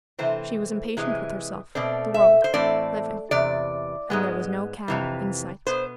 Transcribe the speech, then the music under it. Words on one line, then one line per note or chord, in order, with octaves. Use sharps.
She was impatient with herself, the world, living,--and there was no cab in sight.
C3 E3 A3 C4 C5
C3 E3 G#3
B2 A3 C4 D5
E5
C5
A2 E3 A3 C4 D5
E2 C3 D5
G#2 G#3 B3
F2 C3 E3
B2 B3 C5